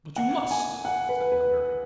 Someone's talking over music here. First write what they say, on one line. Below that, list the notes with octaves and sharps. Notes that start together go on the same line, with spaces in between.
"But you must," said Melbury.
F#5
G#5
F#5
B4
B4